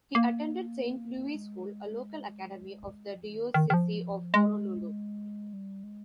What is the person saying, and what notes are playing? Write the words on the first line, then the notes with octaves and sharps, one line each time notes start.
He attended Saint Louis School, a local academy of the Diocese of Honolulu.
A#3
G#3
F3
D#3
D#3
D#3
F3
G#3
G3
G#3